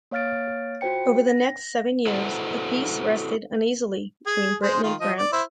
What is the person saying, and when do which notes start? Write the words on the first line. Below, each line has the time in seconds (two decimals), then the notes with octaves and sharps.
Over the next seven years a peace rested uneasily between Britain and France.
0.11 A#3 C#5 F5 F6 A6 D7
0.81 F4 F#4 C5 G5 C#7
1.27 A#6
2.06 E4 F#4 A4 B4 C5 F#5
4.26 G#4
4.63 G#3 C5
4.83 D#3 F4
5.00 F3 D#5
5.18 D5
5.32 E4 C5 E6